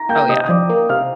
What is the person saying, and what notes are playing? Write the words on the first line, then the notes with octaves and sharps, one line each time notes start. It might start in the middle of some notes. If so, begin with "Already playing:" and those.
Oh, yeah.
Already playing: A#5 A#6
A#3 G5 G6
C3 D#5 D#6
F3 D5 D6
A#3
C3 F5 F6